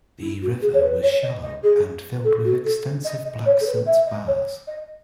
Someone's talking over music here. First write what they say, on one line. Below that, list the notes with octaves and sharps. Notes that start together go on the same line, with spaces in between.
The river was shallow and filled with extensive black silt bars.
E4
F#4
G#4
C#5
B4
C#5
D#5
D#5
G#4
A4
F#4
A4
D#5
D#5
C#5
A4
B4
E5
D#5
C#5
D#5